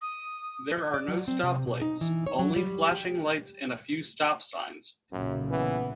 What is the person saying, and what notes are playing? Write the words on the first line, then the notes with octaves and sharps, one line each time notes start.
There are no stop lights, only flashing lights and a few stop signs.
D#6
D5
F#3
C4
C3
B2
D#4
E3
C#5
F#3
G3
G4
B1 F#2 A#2 C#3
E3 B3